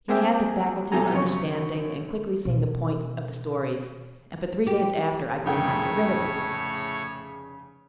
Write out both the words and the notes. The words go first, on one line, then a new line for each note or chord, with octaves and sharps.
He had the faculty of understanding and quickly seeing the point of the stories; and for three days after I could not get rid of him.
G#3 A#3 C4 G#4 E5 G5
B1 E2 G3 A4 G#5 A#5
F#2 C#3 C#4 C#5
B2 D#3
G4
F1 A2 C#3 C#5 G5